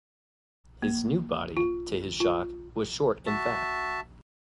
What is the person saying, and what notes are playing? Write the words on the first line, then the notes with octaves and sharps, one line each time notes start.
His new body, to his shock, was short and fat.
A#3
F4
F4
F#4 E5 A5